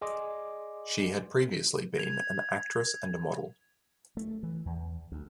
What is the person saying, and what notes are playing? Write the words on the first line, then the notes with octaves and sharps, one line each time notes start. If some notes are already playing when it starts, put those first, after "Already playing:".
She had previously been an actress and a model.
G#4 D5 D#5 G#5 C6 D6
G#6 F7
A3
E3
E2
D2